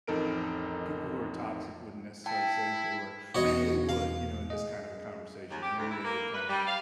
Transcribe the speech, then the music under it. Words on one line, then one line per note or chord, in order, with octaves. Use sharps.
people who are toxic wouldn't necessarily say that they were. Maybe they would, you know, in this kind of a conversation. Maybe they would kinda,
A1 F2 D#4 A4 A#4 D7
E4 G5 A5
E2 B2 F#4 C#5 D#5
F5
G#4 D#5
D#2
G4
D2
E4
A#3
B4
G3
F5